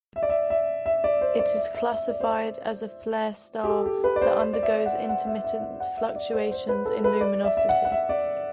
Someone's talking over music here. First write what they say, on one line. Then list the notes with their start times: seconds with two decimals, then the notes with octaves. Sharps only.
It is classified as a flare star that undergoes intermittent fluctuations in luminosity.
0.16 E5
0.23 D5
0.30 E5
0.50 E5
0.86 E5
1.04 D5
1.21 C5
1.39 D5
1.56 E5
1.75 E5
1.92 E5
2.10 D5
2.20 C5
2.31 D5
3.64 G4
3.69 A4
3.86 G4
4.04 B4
4.16 D5
4.22 C5
4.39 C5
4.53 D5
4.63 E5
4.86 F#5
5.09 F#5
5.27 E5
5.44 E5
5.62 F#5
5.80 F#5
5.97 E5
6.16 D5
6.33 C5
6.51 C5
6.69 B4
6.86 A4
7.04 B4
7.21 D5
7.44 E5
7.57 E5
7.69 F#5
7.85 F#5
7.92 E5
8.09 D5